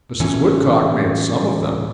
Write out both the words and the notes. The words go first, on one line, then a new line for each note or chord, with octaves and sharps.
"Mrs. Woodcock made some of them."
A2 E3 C#4